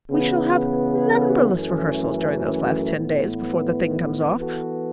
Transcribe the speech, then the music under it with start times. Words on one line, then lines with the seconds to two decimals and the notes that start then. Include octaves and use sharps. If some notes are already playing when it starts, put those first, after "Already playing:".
We shall have numberless rehearsals during those last ten days before the thing comes off.
0.11 C#3 E3 B3
1.52 F#2 E3 A3 C#4
2.95 A2 E3 B3
4.36 E3 B3 F#4 A4